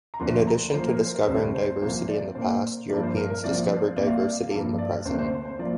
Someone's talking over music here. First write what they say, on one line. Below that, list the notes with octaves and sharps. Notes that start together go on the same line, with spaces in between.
In addition to discovering diversity in the past, Europeans discovered diversity in the present.
A#5
D2 D3 F3 A#3 C6
A#5
A#2 F3 A#3 C5
A#4
C5
A#4
D2 C3 G3 C5
C5
C2 A#2 F3 A#3 C5
D5
A#2 A#3 C5
G2 F3 A#3 D5
C5
A#4
A#4
C2 A#2 F3 A#3 D5
C5
C2 A#2 A#3 D5
F5
D5
G2 F3 A#3
D5
D2 C3 A#3 C5
C5
C5
F3 A#3 D5